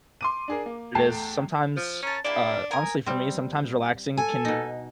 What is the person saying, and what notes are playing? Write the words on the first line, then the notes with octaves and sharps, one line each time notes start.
it is, sometimes, uh, honestly for me, sometimes relaxing can
C6 D6 D#7
D4 G#4 A#4
A#3
E2 A3 G5 A5 C7
F3
C#4 A#4 A5
A#3 D4 E4 G4
A#4 G#5 D#6
G3 C4
A4 G#5
B2 D#4